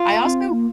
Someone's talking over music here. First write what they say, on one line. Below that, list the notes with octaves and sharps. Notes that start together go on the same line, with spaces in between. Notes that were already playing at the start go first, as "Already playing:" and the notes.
I also
Already playing: F4
C4
A#3